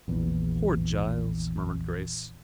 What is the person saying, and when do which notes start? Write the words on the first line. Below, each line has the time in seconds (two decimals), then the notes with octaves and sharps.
"Poor Giles!" murmured Grace.
0.08 A#1 E2